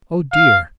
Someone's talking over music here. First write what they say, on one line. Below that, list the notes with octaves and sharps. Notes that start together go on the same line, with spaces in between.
Oh dear!
F5